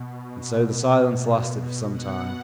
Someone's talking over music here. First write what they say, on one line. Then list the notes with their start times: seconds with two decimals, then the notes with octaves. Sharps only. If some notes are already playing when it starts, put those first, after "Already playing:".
And so the silence lasted for some time.
Already playing: B2
1.12 B2
1.92 F#5